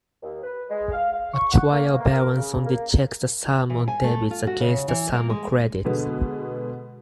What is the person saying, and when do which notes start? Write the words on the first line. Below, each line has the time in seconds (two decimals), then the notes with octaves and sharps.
A trial balance only checks the sum of debits against the sum of credits.
0.22 D#2
0.43 B4
0.70 G#3
0.92 F5
1.13 F5
1.34 C#6
1.52 F#5
1.71 A#3
2.00 A#3
2.12 A#4
2.36 C#3
2.65 A#3
3.70 E3
3.88 G#5
4.04 A3
4.31 F4
4.47 F#4
4.60 C#3
4.88 E3
5.13 A#3
5.30 G#3
5.85 B2 D3 G#3 B3